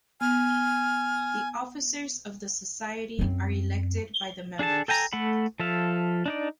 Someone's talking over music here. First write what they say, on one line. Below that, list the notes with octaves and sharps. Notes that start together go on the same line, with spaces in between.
The officers of the Society are elected by the members.
B3 G#5 F6
F#2 C4
D4 G#4 A4 A5
A4 G5 G#5 A#5
A3 A4 F#5 B5
F3 A4 E5 F5
D4 D#4 D5